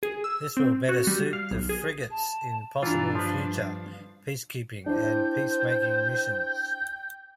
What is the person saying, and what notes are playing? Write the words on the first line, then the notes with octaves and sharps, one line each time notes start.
This will better suit the frigates in possible future peacekeeping and peacemaking missions.
G#4
E6
C4
F#4
G3
F5
B1
G#4
A5
G2 E3 D4 F4 A#5
F3 B4 F5
F5
D4 E4 C5 G5